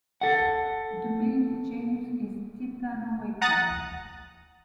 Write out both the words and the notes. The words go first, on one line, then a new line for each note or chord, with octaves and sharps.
The main genus is "Titanoeca".
A4 F#5
F#5 A#5 D#6 F#6 A6